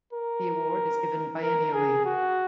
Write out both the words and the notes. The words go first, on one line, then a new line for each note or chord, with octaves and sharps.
The award is given biennially.
A#4
A#4
G#4
F#4